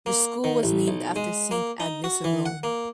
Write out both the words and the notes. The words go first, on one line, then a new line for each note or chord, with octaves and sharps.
The school was named after Saint Agnes of Rome.
A#3
D#3
A1
B1
G#3
A#3
D#4
F#4
E3
F#5
A#3